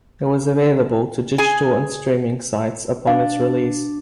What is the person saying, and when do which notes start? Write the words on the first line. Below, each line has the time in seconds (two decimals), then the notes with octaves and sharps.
It was available to digital and streaming sites upon its release.
1.38 G#4 G#5
3.07 D4 F5